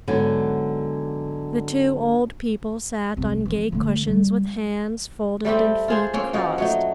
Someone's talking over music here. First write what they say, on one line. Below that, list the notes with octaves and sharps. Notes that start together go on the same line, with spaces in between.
The two old people sat on gay cushions with hands folded and feet crossed.
G#2 D3 F#3 B3
C2 A3
E3 F3
D3 A3
C#3 G3
G3 A3 C4 G4
F4 G#4 C5
A#3 C4 C#4
F3 A#3 D#4 F#4
F#3 A3 D#4